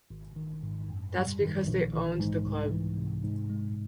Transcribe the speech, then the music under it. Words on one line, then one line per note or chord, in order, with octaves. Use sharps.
That's because they owned the club.
G#1
D#3
G#2
F#2
G3
D#3
A#1
E3
G#2
C2
E3
C3
G#2
G#3